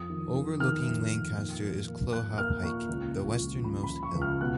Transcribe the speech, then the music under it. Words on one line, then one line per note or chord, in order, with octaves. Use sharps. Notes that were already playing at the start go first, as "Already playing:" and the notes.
Overlooking Lancaster is Clougha Pike, the western-most hill.
Already playing: F2 D#6
D#3
D#3
D#3 F6
F2
A#3
A#2
A#3
A#3
A#2 F#6
A#3 F6
A#2 C#6
C#2
F3
C#2
C#3 B5
B5
C#2
C#6
C#2
F6
B2 F#6